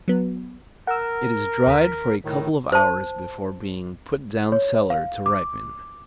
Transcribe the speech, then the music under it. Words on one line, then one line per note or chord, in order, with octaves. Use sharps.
It is dried for a couple of hours before being put down cellar to ripen.
F#3 B3
A#4 F#5 E6
D#2 B6
A2 D#3
C5 A5
C#5
F5
D6